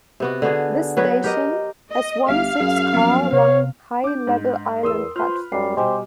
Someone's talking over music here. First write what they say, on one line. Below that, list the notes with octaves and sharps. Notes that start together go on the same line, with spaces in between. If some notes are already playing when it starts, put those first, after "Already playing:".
This station has one six-car-long high-level island platform.
C3 B3 F#4
D3 B3 F#4 G#4
F#3 B3 B4 C#5
G4 A#4 D#5
D#5
G1 G4 E5 F5
F#2 G#4
F3 A#3 B3
C3 C#5
D4 D6 G6
G#2
E2 A#4 C6 D#6 E6
F4 B4 C5 C6 F6
F#2 G3 C7
B2 G3 G4 C5 D#5 G#5 D6